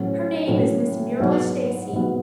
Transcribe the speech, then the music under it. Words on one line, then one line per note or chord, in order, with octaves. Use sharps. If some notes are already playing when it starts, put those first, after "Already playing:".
Her name is Miss Muriel Stacy.
Already playing: A2 F#3 C#4
A2 F#3 C#4
G#2 F#3 B3
G#2 F#3 B3